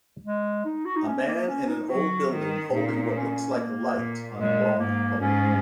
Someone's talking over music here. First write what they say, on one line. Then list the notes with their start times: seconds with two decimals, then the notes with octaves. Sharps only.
A man in an old building holding what looks like a light on a long pole.
0.24 G#3
0.65 D#4
0.85 F#4
0.96 D#4
1.07 C#4
1.27 A#3
1.48 C#4
1.68 D#4
1.89 F#3 F#4
2.31 D#3
2.72 A#2 D#4
3.14 C#4
3.55 A#3
3.96 A#2
4.38 A#2 G#3
4.79 G#2 A#3
5.20 G#2 C#4